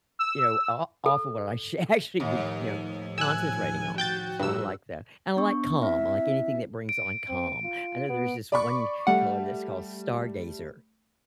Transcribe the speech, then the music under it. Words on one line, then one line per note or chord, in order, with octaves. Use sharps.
you know, o off of what I sh should actually be, you know, concentrating on. So I like that, and I like calm- I like anything that brings on calm. I know there's this one color that's called Stargazer,
E6
A4
D#2 A2 F3
G#5 E6 F#6
F#4 G5 G6 A6
E2 G2 E6
B3 D4 C#6
C4 E4 E5
D7
C4
F4
B3
D5 B5 C#6
G3 A3 F#5